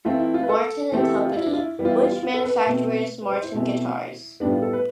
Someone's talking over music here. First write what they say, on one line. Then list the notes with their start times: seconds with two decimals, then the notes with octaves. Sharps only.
Martin and Company, which manufactures Martin guitars.
0.05 E3 A3 C4 F4
0.19 E4
0.34 F4
0.43 B4
0.49 A4
0.92 E3 A3 C4 G4
1.03 A4
1.14 G4
1.25 F4
1.36 E4
1.46 D4
1.53 F4
1.57 E4
1.79 E3 G3 B3 G4
1.85 F4
1.90 E4
2.01 F4
2.12 F4
2.23 F4
2.34 A4
2.45 B4
2.55 B4
2.66 B2 A3 C4
3.21 B4
3.32 C5
3.43 E4
3.54 B2 A3 C4
4.40 A2 G3 B3 D4
4.52 F4
4.62 A4
4.73 B4